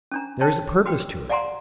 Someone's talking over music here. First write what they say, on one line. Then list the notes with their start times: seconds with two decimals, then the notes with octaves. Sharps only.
There is a purpose to it.
0.12 C#4 D4 A#5
0.41 C#5 G5 A5
0.86 F#4 B4 G5
1.30 D5 F5 F#5 G#5 A#5 C6